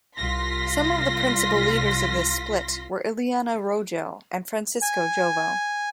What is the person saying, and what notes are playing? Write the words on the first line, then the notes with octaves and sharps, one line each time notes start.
Some of the principal leaders of this split were Ileana Rogel and Francisco Jovel.
C2 F4 C6 A#6 B6
G#5